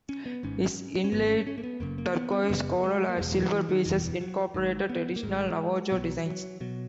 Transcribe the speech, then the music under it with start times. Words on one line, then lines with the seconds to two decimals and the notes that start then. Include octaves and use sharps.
His inlaid turquoise, coral, and silver pieces incorporated traditional Navajo designs.
0.09 C#4
0.26 B3
0.43 G#1 G#2 C#4
1.04 C#4
1.12 G#1 G#2 B3
1.29 C#4
1.47 C#4
1.58 A#3
1.63 B3
1.80 F#1 F#2 C#3 A#3
1.98 A#3
2.15 B3
2.32 B3
2.44 C#4
2.49 F#1 F#2 C#3 B3
2.84 G#3
3.09 A#3
3.17 F#1 E2 B2 G#3
3.34 E3
3.52 E3
3.69 D#3
3.86 F#1 E2 B2 E3
4.04 E3
4.21 F#3
4.54 G#1 G#2
4.89 B3
5.16 A#3
5.23 G#1 G#2 G#3
5.92 B1 B2 F#3
6.26 F#3
6.61 B2 F#3